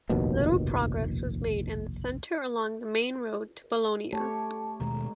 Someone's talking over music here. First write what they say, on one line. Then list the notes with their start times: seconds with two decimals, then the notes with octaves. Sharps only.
Little progress was made in the centre along the main road to Bologna.
0.10 F1 A#1 D#2 B2
4.13 A3 G4 C#5 A5
4.80 D#2 B2 D#3 G#3 A#5